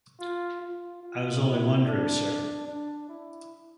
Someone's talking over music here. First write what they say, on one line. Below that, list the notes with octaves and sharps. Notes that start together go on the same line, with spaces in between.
I was only wondering sir.
F4
F4
F4
E4
D4
D4
E4